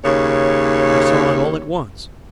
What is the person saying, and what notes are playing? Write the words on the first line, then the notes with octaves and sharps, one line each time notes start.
I saw it all at once.
D#2 C#3 C#5